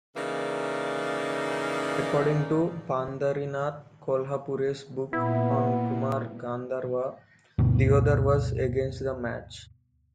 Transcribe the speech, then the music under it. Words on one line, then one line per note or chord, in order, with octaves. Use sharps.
According to Pandharinath Kolhapure's book on Kumar Gandharva, Deodhar was against the match.
C#3 E3 A#3 D#4 D5
A#2 B3 E4
D2 G2 B2